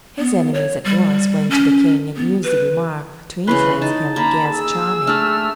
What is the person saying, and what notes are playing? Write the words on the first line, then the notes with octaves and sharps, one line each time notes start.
His enemies at once went to the King and used the remark to influence him against Charming.
B3
C#5
G3
C#4
B3
B4
C#3 E3 C#4 B4 B5 C6
D#4 A5
A#3 A#5 B5
G#4 E6
A3 D4 D5 F6